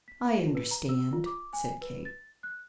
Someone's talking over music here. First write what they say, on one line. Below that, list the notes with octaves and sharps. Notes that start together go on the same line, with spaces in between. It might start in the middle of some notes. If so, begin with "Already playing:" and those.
"I understand," said Kate.
B6
F4
B4
A#5
E6
F4
D6
G#5
B4
A6
F#6